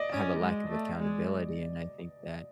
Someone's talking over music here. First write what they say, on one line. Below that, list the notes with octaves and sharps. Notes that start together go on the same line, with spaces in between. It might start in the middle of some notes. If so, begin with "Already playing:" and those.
have a lack of accountability, and I think that
Already playing: D5 D#5
C#4
G#3
A3
G#3